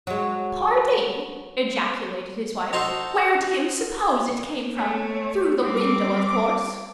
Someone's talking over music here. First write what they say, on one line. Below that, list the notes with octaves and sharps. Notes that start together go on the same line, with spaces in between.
"Pardie!" ejaculated his wife, "where do you suppose it came from? Through the window, of course."
F#3 G#3
D#4 F#4 A4 C5 A5 C6
A3 C#5
G3 C4 D6